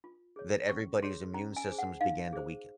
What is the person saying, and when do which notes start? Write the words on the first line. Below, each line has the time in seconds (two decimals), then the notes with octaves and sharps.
that everybody's immune systems began to weaken.
0.04 F4
0.36 G#4 C#5
0.69 C#4 C#6
1.03 G#4 C#5 C6
1.34 C#4 A#5
1.57 G#5
1.67 G#4 C5
1.79 F#5
2.01 D#4 F5
2.33 G#4 C5